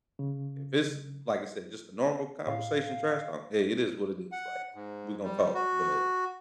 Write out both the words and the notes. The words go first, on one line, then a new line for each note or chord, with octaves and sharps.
if it's, like I said, just a normal conversation trash talk, hey, it is what it is, like, we're gonna talk, but,
C#3
A2 F5
F#5
G#2
G3
F#4